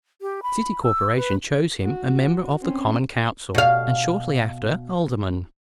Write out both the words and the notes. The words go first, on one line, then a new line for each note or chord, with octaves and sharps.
The city corporation chose him a member of the common council, and shortly after alderman.
G4
B5
E6
B4
F#4
C4 C#4
B2 F5